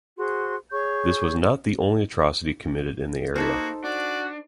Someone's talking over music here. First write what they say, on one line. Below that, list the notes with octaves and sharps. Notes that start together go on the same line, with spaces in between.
This was not the only atrocity committed in the area.
F#4 G#4 C5 C6
G#4 C#5 C#6 G6
A#3 D#4 F#4 A4 C5
D4 F#4 D5